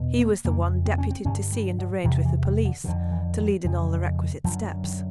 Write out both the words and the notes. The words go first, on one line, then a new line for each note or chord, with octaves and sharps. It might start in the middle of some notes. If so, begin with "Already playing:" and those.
He was the one deputed to see and arrange with the police--to lead in all the requisite steps.
Already playing: E2 B2
A#3
F2 C#3 A#3
C4
C#4
C4
G2 D3 C#4
G3
D3
E2 C3 D#3
E3
D#3
D3
F2 D3 D#3
E3
D#3
F2 C#3
F#2 D3 F3
F#3
D#3